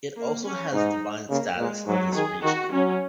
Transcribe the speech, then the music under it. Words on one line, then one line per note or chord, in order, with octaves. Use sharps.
It also has divine status in this region.
A#3
C#4
G#2 D#4
C#3 A#3
A#2 G#3
G#2 F#3
D#3 G#4
D#3 F#4
F#3 C#4